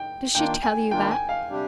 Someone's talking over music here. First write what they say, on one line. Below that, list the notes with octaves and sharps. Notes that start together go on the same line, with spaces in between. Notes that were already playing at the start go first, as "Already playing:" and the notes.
"Did she tell you that?"
Already playing: G5
D#3 A#3 D4 F4 G5
G#5
D#3 A#3 D4 F4 G5
G#5
F5
C3 G3 D4 G4